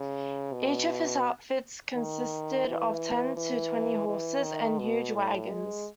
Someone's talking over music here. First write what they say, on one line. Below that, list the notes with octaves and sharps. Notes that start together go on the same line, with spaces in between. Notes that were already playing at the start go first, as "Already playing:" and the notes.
Each of his outfits consisted of ten to twenty horses and huge wagons.
Already playing: C#3
B2
D#3
E3
E3
E3
D#3
B2
A2
G#3